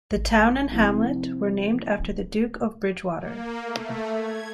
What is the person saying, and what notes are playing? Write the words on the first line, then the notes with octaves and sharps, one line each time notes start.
The town and hamlet were named after the Duke of Bridgewater.
G#1
C3 F3 E4
A#3
A3
G#6